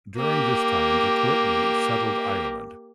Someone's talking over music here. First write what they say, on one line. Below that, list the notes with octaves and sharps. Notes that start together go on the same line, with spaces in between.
During this time the Cruithne settled in Ireland.
A#3 G4